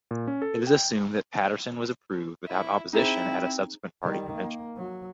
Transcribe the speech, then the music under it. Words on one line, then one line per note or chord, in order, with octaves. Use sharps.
It is assumed that Patterson was approved without opposition at a subsequent party convention.
A#2
C#4
A4
G5
E4
C4 D#4 E4 G#4 C5
D#3 G3
A#3
F#3